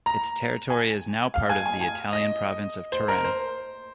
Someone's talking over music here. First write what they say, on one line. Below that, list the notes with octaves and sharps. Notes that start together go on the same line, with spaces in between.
Its territory is now part of the Italian province of Turin.
A#5
G#5
F5
G#5
G#5
G#5
D#5
C5
A#4
C5